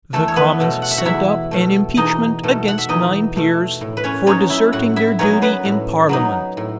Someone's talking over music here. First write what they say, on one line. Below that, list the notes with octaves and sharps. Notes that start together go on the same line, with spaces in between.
The commons sent up an impeachment against nine peers, for deserting their duty in parliament.
E2 A3 A4
C#5
B3 B4
B2 A3
F#5
E5
F#4 F#5
E2 E4 E5
B2 A3
E2 D#4 D#5
B2 A3
F#5
E5
E2 D#4 D#5
B2 A3
A2
B4
C#4 C#5
F#3 B3 C#4 D#4 C#5
E4 E5
A2 F#4 F#5
E4 E5
F#3 B3 C#4 D#4 C#5
B3 B4
A2
F#3 B3 D#4
A2